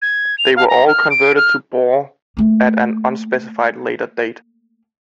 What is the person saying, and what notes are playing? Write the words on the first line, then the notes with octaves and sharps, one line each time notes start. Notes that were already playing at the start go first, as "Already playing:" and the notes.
They were all converted to bore at an unspecified later date.
G#6
F7
F5
A#5
F6
D7
F6
A3 A#3